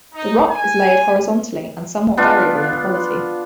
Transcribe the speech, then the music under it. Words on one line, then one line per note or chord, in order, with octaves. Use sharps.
The rock is layered horizontally, and somewhat variable in quality.
D#4
G#5
B3 D4 F4